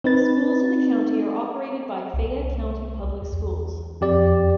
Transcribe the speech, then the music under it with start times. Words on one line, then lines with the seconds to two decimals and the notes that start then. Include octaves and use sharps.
Schools in the county are operated by Fayette County Public Schools.
0.04 C4 D#4 B4 A6
2.14 C2
3.22 E2
4.01 F2 G4 D5